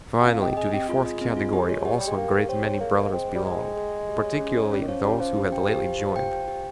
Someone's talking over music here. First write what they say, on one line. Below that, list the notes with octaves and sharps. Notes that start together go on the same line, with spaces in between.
Finally, to the fourth category also a great many Brothers belonged, particularly those who had lately joined.
G4
C4 F4
G4 D#5
G4
G#4 D#5
C4 G4
G#3 F4
D#5
C4
F4
G4
C#5
G4
G3 G5
G#3
A#3 G4
G4
C4 C#5
C#5
A#3 G#4
D#5
C4 G#4
C5
G3
G#3 G5
G5
G#4
D#5
G4
C#5
C#4
C#5
G3 C#4
D#3
F3 C#5
G3 C#4
F3 C#4
G4
G5
G4
G4
G4
G5
G5
G4